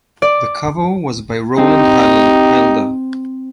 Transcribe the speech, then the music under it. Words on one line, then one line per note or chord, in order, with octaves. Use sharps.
The cover was by Rowland Hilder.
D5
C4 D#4 G4